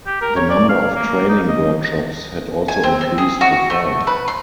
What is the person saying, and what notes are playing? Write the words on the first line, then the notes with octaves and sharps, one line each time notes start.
The number of training workshops had also increased to five.
G4
A#4
C#5
D5
F5
A#3
D#4
D#5
G#5
C4
C4
G#4
F#4
A3
B4
C6